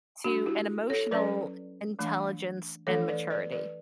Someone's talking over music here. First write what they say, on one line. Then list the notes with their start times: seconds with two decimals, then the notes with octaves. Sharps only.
to an emotional intelligence and maturity.
0.24 G3 D4 F#4
0.46 E4 G4
0.90 A4 C#5
1.11 F#3 C#4 B4 D5
1.99 E3 A3 D4
2.87 E3 A3 D4 A4 C#5
3.08 B4 D5
3.30 B4 D5
3.52 B4 D5